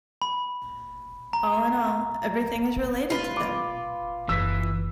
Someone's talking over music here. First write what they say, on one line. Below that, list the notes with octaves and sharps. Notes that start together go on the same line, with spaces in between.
All in all, everything is related to them!
B5
A#5
F4 B4
D6
F#1 E3 E6 B6